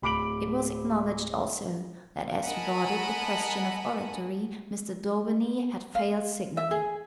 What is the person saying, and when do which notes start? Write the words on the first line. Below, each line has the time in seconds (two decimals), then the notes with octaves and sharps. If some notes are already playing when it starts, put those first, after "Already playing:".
It was acknowledged also that as regarded the question of oratory Mr. Daubeny had failed signally.
0.02 D1 B5 D6 D7 F#7
2.45 A#4 D#5 F#5 G#5 A5 B5
5.95 F5
6.57 E5
6.71 G#4